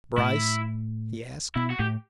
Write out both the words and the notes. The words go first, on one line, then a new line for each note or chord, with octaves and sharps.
"Bryce?" he asked.
A2 A3 E4
B2 B3 E4
F#4
A2 A3 G4